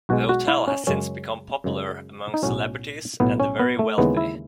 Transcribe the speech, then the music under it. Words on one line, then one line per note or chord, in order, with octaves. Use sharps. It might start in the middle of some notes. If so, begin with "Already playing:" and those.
The hotel has since become popular among celebrities and the very wealthy.
B1 B2 G#3 F#4
F#4
E4
C#4
F#2 C#3 G#3 C#4
F#2 C#3 G#3
D#4
B1 A2 F#3 C#4
B1 A2 F#3 B3
C#4
B3
A3
D#2 C#3 E3 G#3 B3
E4